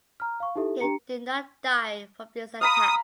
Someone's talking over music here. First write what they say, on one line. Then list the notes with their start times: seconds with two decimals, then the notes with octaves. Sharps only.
He did not die from this attack.
0.20 A#5 F6
0.40 F5 C#6
0.56 D#4 E4 G4 A4 E5
0.80 D4 G4 A#5 C#7
2.61 F5 A#5 B5 D#6